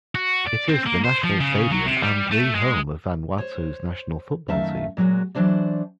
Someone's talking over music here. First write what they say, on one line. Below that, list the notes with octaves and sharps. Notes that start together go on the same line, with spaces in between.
It is the national stadium and the home of Vanuatu's national football team.
F#4
D5
C4
A#3
C5
F3
C#3
F#3
C3
G3
A3
G#3
C5 C#5
F#2 D#3 A3 E5 F5 A5
A#2 F#3 G#3 F#4
E3 F#3 D4 C5 D5